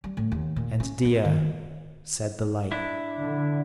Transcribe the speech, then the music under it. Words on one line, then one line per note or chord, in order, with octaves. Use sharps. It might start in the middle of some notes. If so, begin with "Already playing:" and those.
And Dea! said the light.
G3
A2
D#2
A#2
C#4
A3
D#3
D4 E4
D3